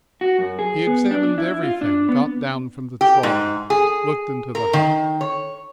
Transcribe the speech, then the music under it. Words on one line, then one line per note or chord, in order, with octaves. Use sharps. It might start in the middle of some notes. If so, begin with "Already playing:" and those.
He examined everything, got down from the trolley, looked into the hut.
F#4
F#2
G#4
B3
D4
E4
F4
D4
B3
G4
G#2
G#4
A#4
D#3
C#5